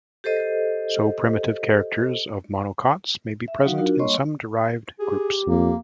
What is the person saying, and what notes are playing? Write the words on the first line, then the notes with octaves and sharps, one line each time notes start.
So primitive characters of monocots may be present in some derived groups.
G4 A4 C5 D#5
E5
F#3 D#4 F#4 F5
D4 F4 F#4 A#4
G3 A#3 C#5 D#5 C6 C#6
G4 G#4
F2 A#3